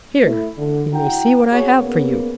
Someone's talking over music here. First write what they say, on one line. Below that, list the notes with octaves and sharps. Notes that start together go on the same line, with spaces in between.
"Here you may see what I have for you."
A3 E4
D3
E4 F#4 F#5 G5 A#5
F#4 G#4 C#5
C#3 A#3 B3